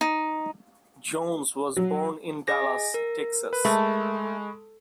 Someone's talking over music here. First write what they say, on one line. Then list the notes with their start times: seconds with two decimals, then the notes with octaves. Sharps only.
Jones was born in Dallas, Texas.
0.01 D#4
1.77 F#3
2.48 G#4 D#5 G#5 A#6
2.94 A#4
3.53 B4
3.65 G#3 A3 B5 C#6